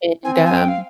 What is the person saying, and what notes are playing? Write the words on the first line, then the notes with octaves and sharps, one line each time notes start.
and, um
C4 G#5
G#5
G#5
G5
F5